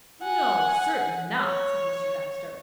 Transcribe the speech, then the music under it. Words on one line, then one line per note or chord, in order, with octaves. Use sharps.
"No; certainly not," said Mr. Dempster.
F#5 G#5
C#5